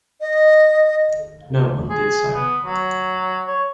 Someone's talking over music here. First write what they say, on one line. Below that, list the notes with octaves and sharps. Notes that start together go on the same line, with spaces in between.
No one did so.
D#5
G#4
B3
F#3
C#5